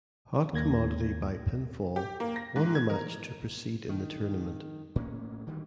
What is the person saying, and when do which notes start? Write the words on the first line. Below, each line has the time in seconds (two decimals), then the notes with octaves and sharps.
Hot Commodity by pinfall won the match to proceed in the tournament.
0.53 D#2 A#3 G#6 A#6
1.96 G4
2.20 A#3
2.36 A#6
2.56 G#2
2.75 G#6
2.90 A#4
3.89 D#3
4.96 A2 A#3 C4 C#4
5.47 D3 D#3 F#3 G3